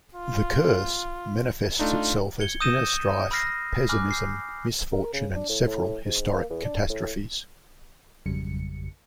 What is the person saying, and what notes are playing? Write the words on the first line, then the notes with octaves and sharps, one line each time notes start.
The "curse" manifests itself as inner strife, pessimism, misfortune and several historic catastrophes.
F4
A3 D4 D#4 F4
G#6 C#7 G7
D#6 E6 G6 A#6 D#7 E7
B5 E6 F6 A#6 C7
G#5 B5 D6 F6 F#6
G6 C7
A#4
C#3
D4
A2
A2
G#2
A#3
E2
D4
A2
G#1 F2 C#3 F#3 G3 C#7